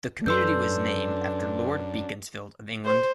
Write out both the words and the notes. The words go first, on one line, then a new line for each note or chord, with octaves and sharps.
The community was named after Lord Beaconsfield of England.
F#2 D4 A4 B4 C6 E6 G6
C5